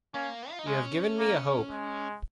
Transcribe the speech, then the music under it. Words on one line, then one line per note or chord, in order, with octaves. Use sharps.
You have given me a hope.
A#3 C#4
F4
D#4
G#3 C#4
A#3
G#3